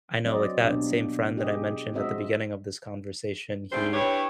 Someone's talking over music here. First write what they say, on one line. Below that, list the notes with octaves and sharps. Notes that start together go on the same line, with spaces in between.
I know like that same friend that I mentioned at the beginning of this conversation, he,
F#3 C4 D5 D#5
B2 A#3 D4 G4
G4 G#4 D#5
G#3 C4 F#4 D#5 E5
D2 G3 A3 C4 G#4 C5
D4 E4 G4 B4 C#5